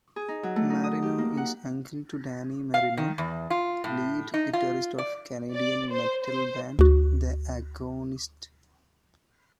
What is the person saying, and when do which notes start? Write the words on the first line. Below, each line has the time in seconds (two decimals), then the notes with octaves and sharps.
Marino is uncle to Danny Marino, lead guitarist of Canadian metal band The Agonist.
0.16 G#4
0.28 D#4
0.43 F#3
0.56 A3
0.70 D#4
0.84 D#6
1.02 G4
1.18 A#3
1.37 F#5
2.74 F5
2.97 D#3
3.18 E2
3.50 F4
3.84 A2
4.34 D#4
4.53 F4
4.98 D5
5.55 D5
5.92 C5
6.25 C5
6.79 D2 F#4